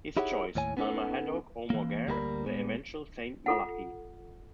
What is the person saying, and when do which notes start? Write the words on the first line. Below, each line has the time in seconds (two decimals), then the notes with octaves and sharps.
His choice: Maelmhaedhoc O'Morgair, the eventual Saint Malachy.
0.17 D#4 E4 G4 G#4 C#5 F#5
0.55 D#2 A2 C#5 G#5
0.77 B3 C#4 D#4 G4 A4 F#5
1.70 E3 A#3
2.07 D2 G3 A#3 A#4 D#5 B5
2.46 A#2 G#3 B3
3.46 F4 A4 F#5